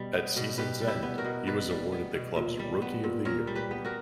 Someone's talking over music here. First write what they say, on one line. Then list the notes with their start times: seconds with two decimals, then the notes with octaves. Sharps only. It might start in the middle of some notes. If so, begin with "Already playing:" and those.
At season's end he was awarded the club's rookie of the year award.
Already playing: B2 G3
0.14 B3
0.36 B2
0.58 B2 G4 B4
0.81 G3
0.87 E4 G4
1.03 B3
1.18 F#4 A#4
1.25 B2
1.47 B2 B4 D5
1.70 G3
1.92 B3
2.14 B2
2.36 A#2
2.59 G3
2.82 B3
3.04 A#2
3.25 A#2 A#4 C#5
3.47 G3
3.55 G4 B4
3.71 B3
3.85 F#4 A#4